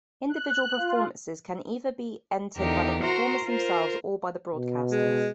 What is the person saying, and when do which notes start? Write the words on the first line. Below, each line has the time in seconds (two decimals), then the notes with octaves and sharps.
Individual performances can either be entered by the performers themselves or by the broadcasters.
0.29 F#6
0.77 F4
2.58 E2 D3 D#4 G4 A#4
3.02 F#4 A#4 C5 A#5 C6
3.45 F4 A#4 C5
4.56 B2
4.92 G#3